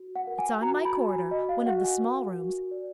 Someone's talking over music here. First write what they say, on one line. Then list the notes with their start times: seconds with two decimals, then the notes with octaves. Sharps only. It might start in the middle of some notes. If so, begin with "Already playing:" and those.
It's on my corridor--one of the small rooms.
Already playing: F#4
0.16 F#5
0.27 A#4
0.39 G#5
0.61 F#4 A#5
0.85 B5
0.96 F#4
1.09 G#5
1.31 F#4 D#5
1.49 F5
1.66 F#4 F#5
1.84 G#5
2.01 A#4
2.36 F#4
2.71 D5